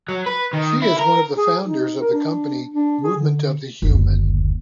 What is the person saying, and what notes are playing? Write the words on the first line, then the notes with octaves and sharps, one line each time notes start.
She is one of the founders of the company Movement Of The Human.
F#3
B4
D#3
E4
A#4
G#4
D#4
A#4
D4
D4
G#4
D3
F#1 D2